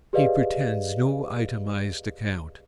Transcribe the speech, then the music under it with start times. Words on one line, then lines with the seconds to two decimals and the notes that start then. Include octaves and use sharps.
He pretends no itemised account.
0.13 G4 G#4 B4 D5 D#5 F5